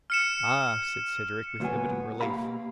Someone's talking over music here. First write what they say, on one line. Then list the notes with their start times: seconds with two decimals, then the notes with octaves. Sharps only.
"Ah!" said Cedric, with evident relief.
0.10 F6 C#7 E7
1.60 C#2 A#2 F#3 B3 G#5
2.21 B2 A#3 G4 F5 A#5 B5